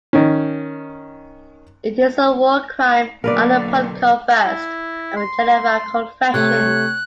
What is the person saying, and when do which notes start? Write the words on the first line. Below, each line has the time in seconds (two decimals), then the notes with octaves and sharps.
It is a war crime under Protocol I of the Geneva Convention.
0.13 D#3 C#4
3.24 B2 D3 F#3 A#3 A#4 B4 D5
4.45 E4
5.17 C6
6.34 C3 A3 C#5 F#6